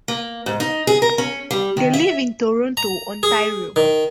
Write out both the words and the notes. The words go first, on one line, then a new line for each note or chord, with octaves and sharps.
They live in Toronto, Ontario.
A#3
G#2
D#4
G#4
A#4
C#4
G3
D#3
E5
A#5
G#4
D#3